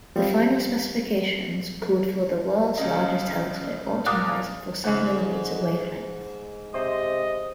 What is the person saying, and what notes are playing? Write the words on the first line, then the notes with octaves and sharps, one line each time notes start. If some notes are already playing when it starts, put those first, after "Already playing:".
The final specifications called for the "world's largest telescope optimised for submillimetre wavelengths".
F3 G3 C4
C#2 C#3 D#5
A#2 D6 D#6 F#6
G#2 C#3 F#5
C3 C5 D#5